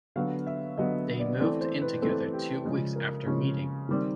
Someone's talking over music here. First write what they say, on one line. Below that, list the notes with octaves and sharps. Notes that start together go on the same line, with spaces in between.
They moved in together two weeks after meeting.
D3 F#3 B3 F5
E5
D3 F#3 B3 D#5
D5
E3 A3 C4 D5
C5
B4
E3 A3 C4 A4
G4
C#3 F3 G#3 C#4
A#4
C#3 F3 G#3 C#4
D#3 G3 C4